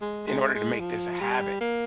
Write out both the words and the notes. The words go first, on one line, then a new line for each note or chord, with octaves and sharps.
in order to make this a habit.
G#3
G#3
G#3
F3
G3
A#3